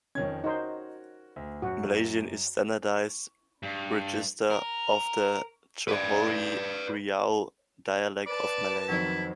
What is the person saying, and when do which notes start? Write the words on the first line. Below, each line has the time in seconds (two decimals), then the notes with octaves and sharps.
Malaysian is a standardised register of the Johore-Riau dialect of Malay.
0.15 F2 D#3 C#4 G#6
0.44 D#4 F#4 A#4 C5
1.36 D2
1.62 F#2 F#4
3.63 G2
4.50 A#4
5.88 B4 D5
8.26 B4 D5 A5
8.89 F2 D#3 F#3 E4